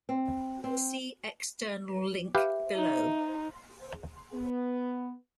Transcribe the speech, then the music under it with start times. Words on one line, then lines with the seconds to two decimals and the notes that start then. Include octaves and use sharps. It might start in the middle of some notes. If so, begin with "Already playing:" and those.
See external link below.
0.09 C4
0.64 C4
2.35 G4 B4 E5 F5
2.75 D#4
4.34 B3